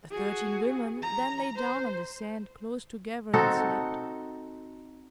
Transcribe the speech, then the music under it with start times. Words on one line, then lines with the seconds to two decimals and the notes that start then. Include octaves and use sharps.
The thirteen women then lay down on the sand close together, and slept.
0.11 F#4 G#4
1.02 A#5
1.56 C5
3.34 C4 D#4 F#4 A4